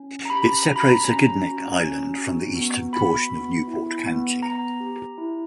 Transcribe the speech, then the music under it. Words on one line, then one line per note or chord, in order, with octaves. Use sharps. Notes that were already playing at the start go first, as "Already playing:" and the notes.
It separates Aquidneck Island from the eastern portion of Newport County.
Already playing: C#4
A#5
G4 B5
F#4 A#5
B5
A#5
C#4 A#5
F#4
C#4
F#4
B3
F#4 B5
B3
E4
B3
B3 A#5
G4
E4